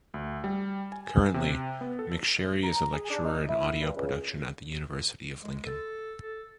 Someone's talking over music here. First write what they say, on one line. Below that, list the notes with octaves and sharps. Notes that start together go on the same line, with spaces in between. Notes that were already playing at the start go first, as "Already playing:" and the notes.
Currently, McSherry is a lecturer in Audio Production at the University of Lincoln.
D2
G3
G#5
C3
B3
A4
A#5
G#4
D4
D#4
E4
G2
C#2
G#3
A4
A4